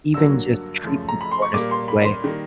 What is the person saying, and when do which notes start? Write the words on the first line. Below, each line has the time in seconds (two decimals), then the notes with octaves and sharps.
even just treat people in a certain way.
0.14 G2 D3 F#3 A#3 E6
0.83 F#2 C#3 F3 A3
1.09 A#5
1.21 B5
1.32 C6
1.42 C#6
1.54 A#2 G3 A#3 D6
1.71 C6
1.88 B5
2.05 C6
2.24 D#3 G3 A#3